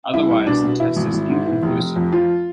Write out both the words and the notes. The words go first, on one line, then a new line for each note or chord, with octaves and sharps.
Otherwise the test is inconclusive.
C2 E4
C2
B2 D4
B2
E3 E4
G#1
G#1
G#2
E3
F1
F1
F2
F3 F4